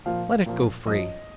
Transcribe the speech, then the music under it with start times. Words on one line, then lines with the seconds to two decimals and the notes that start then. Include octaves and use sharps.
Let it go free.'
0.06 A#2 F3 F5
0.46 A#2 F3
0.86 F#2 F3 D#5